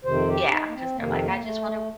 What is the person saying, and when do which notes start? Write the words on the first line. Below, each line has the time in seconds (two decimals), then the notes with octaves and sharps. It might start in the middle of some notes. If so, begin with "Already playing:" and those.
Yeah, 'cause they're like, "I just wanna
0.05 F2 C3 D#3 C5
0.28 G4
0.44 D4
0.51 D#4
0.68 A#3
0.73 C4
0.96 F2 C3 D#3 A#3
1.09 C4
1.23 A#3
1.41 A3